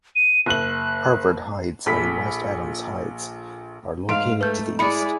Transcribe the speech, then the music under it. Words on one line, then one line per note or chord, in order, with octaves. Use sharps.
Harvard Heights and West Adams Heights are located to the east.
D#7
F#1 F#6 F#7
A#1 A4 B5 B6
G#2 F5 C6 D7
A3 B4 G6
G#3 E4 G#4 D5 B5 C#7